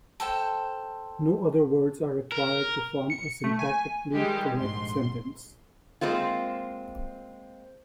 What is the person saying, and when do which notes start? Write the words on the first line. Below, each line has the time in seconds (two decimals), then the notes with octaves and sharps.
No other words are required to form a syntactically correct sentence.
0.20 A4 C5 G5
2.32 A#4
3.10 C#7
3.44 A3
3.59 G#5
4.13 D#3 G3 G#3 G4
4.54 A#1 G#2 C6
6.01 G#3 A#3 C4 F4